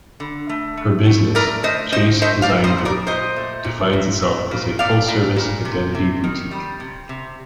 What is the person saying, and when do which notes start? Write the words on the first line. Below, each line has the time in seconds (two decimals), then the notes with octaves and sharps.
Her business, Chase Design Group, defines itself as a full-service identity boutique.
0.20 D3
0.49 A3
0.77 A3
1.06 A3
1.35 A3 A#4 D5
1.63 A3 C5 D#5
1.92 D3 C5 D#5
2.21 A3 C5 D#5
2.42 D5 F5
2.50 A#2
2.64 C5 D#5
2.78 A#2
2.85 A#4 D5
3.07 A#2 C5 D#5
3.36 A3
3.64 A#2
3.93 A#2
4.22 A#2
4.51 A#2
4.79 A#2 D5 F5
5.08 A#2
5.36 A#2
5.65 C3
5.95 C3
6.24 D#3
6.51 G3
6.80 C3
7.09 C3